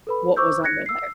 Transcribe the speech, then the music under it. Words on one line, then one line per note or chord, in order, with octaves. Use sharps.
what was under there.
A4 B4 B5
C5 C#6 D6 E6 G6
F#6 G#6 A#6 C#7
E6 C7